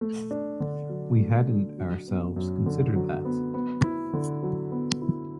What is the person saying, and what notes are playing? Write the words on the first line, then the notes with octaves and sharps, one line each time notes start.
We hadn't, ourselves, considered that.
A3
D4
D3
F#3
A3
D4
F#3
B3
F#2
D3
F#3
B3
B3
E4
D3
F#3
B3
E4